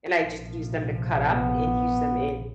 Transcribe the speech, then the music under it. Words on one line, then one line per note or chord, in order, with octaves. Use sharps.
and I just use them to cut up, and use them in
A#1 C3 F3
B3